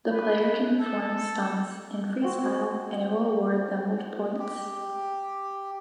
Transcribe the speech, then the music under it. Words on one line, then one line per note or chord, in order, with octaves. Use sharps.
The player can perform stunts in Freestyle and it will award them with points.
B4
A4
C4 F#4
G4